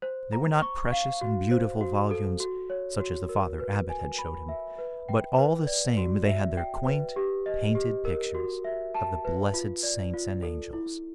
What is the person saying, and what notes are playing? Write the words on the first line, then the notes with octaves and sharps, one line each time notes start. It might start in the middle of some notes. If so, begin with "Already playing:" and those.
They were not precious and beautiful volumes, such as the Father Abbot had showed him, but all the same they had their quaint painted pictures of the blessed saints and angels.
C5
A#5
C#6
F5
F#4
C5
F#4
A4
F#4
C#5
F#4
A#4
B4
G#5
B5
E5
B4
G5
B4
D5
F#4
E5
G5
B4
G4
D#5
G4
A#4
F#4
E5
A5
B4
F4
D5
F4
A4
E4